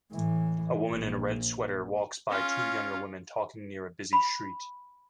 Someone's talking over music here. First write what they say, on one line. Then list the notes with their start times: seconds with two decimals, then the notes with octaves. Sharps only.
A woman in a red sweater walks by two younger women talking near a busy street.
0.13 A2 E3
0.91 A#1
2.29 C#4 F4
4.13 B5